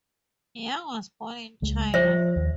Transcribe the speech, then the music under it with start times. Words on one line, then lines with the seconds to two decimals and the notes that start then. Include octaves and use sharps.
Yang was born in China.
1.62 C#2 G#3
1.94 F3 C5 E5
2.36 D#2